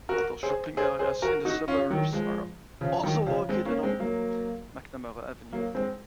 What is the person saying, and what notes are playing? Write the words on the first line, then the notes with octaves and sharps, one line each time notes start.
Other shopping areas in the suburb are also located on McNamara Avenue.
F#4 A#4
G#4 C5
G#4 C5
G#4 C5
F#4 A#4
D#4 F#4
C#4 F4
D#3 F#3
F3 G#3
C#3 F3
D#3 F#3
C#3 F3
G#3 C4
A#3 C#4
G#3 C4
F#3 A#3
F#3 A#3
G#3 C4